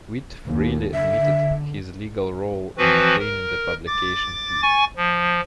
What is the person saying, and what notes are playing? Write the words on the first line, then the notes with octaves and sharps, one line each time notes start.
Witt freely admitted his legal role in obtaining the publication fee.
D#2
D3 E5
E3 F3 C4 F#4 B4
A#4
D6 A6
G#5 C#6 A6
F3